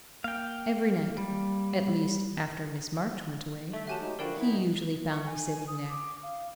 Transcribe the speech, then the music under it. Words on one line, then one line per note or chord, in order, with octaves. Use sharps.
Every night--at least after Miss March went away--he usually found me sitting there.
A#3 F5 G5
G3
A3 E5
F#3 G4 E5 F#5 G#5 A5
F#3 G#3 D#4
D3 F3 D4 E4 F#4 A#4 D5 G5
E3 B3 D#4 E4
B2
C#6
G#5
D#6
D6
F5